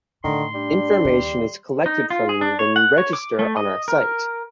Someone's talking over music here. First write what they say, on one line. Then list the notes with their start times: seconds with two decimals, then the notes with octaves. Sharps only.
Information is collected from you when you register on our site.
0.24 A2 D3 D#3 C6
0.55 G3 D4
1.05 D#2 C#3
1.86 D#4
2.10 F4
2.29 G#4
2.41 D4
2.59 C#5
2.76 F#5
2.98 C#5
3.13 D6
3.39 A3
3.57 D#5
3.88 A#4